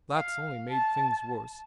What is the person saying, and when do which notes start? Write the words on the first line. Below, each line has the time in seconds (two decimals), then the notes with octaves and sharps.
That's only made things worse.
0.15 F5
0.69 A5